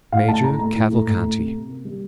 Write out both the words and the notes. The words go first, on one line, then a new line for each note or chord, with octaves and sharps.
"Major Cavalcanti."
A2 F5
A3 A5
A2 A#5
A3 A#5
A2
A3
A2
A3
C3
C3
A#3
G3